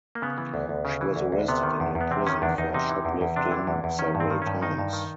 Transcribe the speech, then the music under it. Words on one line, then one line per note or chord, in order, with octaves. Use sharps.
She was arrested and imprisoned for shoplifting several times.
A#3
C#3 B3
E3
D2
D2
C#3
E3
D2
D2
C3 B3
D#3
E2
E2
B3
C3 C4
D#3 C#4
E2 D4
E2 D#4
C3 D#4
E3
E2
E2
C3 D4
E3
E2
E2
D#3 C#4
G2
C4
D#3
G2 C#4
D#3 D#4
G2
D#3